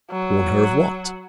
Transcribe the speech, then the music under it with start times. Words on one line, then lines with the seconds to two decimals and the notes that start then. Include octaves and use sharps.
Warn her of what?
0.11 F#3